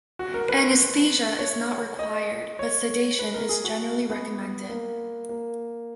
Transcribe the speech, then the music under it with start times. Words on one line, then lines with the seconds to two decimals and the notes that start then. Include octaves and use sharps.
Anesthesia is not required, but sedation is generally recommended.
0.19 F#4
0.34 A#4
0.49 B4
1.39 C#5
1.99 D#5
2.59 C#5
3.19 B4
3.34 A#4
3.49 G#4
3.64 F#4
4.10 B3
4.69 A#3
5.29 A#3